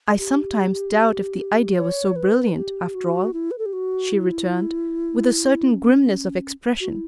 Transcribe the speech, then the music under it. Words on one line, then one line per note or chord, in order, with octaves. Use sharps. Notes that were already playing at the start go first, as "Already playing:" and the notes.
"I sometimes doubt if the idea was so brilliant, after all," she returned, with a certain grimness of expression.
G4
C#5
B4
G4
F#4
E4
B4
A4
G4
F#4
E4
C#4
F#4
E4